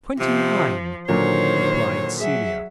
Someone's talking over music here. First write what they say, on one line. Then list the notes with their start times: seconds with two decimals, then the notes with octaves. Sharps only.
"Twenty-nine," replied Celia.
0.20 C3 F3
1.09 A#2 D3 D#3 F#3 C5 C#5
2.20 F#3 G#4 E5